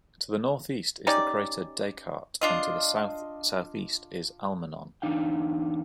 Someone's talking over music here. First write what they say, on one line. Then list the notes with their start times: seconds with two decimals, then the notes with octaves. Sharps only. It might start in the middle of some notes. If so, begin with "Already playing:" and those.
To the northeast is the crater Descartes, and to the south-southeast is Almanon.
1.07 C#4 D#4 G4 D5
2.41 D4 F4 D#5
5.02 E2 F3 D4 D#4 F5 G5